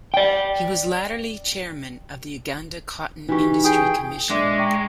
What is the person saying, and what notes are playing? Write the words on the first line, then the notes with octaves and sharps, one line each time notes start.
He was latterly Chairman of the Uganda Cotton Industry Commission.
D5 G5
E3 D#4 F#4 G4 C#6
G#4 G5 D#6
A#2 G#3 D4 D5 E5 C6 D6
G5 A#5 C#6